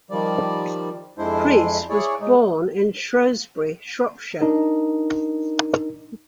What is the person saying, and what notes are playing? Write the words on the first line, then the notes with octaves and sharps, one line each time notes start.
Preece was born in Shrewsbury, Shropshire.
D#3 F3 G3 D5
F2 G#3 D4 E4 C5
E4 G#4 C#5 D5
G#3 D#4
D4 D#4 A#4